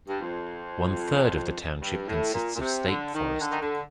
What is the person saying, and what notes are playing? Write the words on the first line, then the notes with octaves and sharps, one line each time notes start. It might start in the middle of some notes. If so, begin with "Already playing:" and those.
One-third of the township consists of State Forest.
G2
F2
G2
A2
A#2
A#2
C3
D3
D#3
D3
D#3
D3